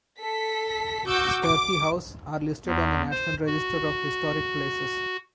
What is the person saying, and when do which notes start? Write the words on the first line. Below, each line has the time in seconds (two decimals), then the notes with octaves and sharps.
Sturkey House are listed on the National Register of Historic Places.
0.17 A4 B6
1.07 F#4 D6 E6 G6
1.43 D6
2.66 E2
3.11 C5
3.47 F#4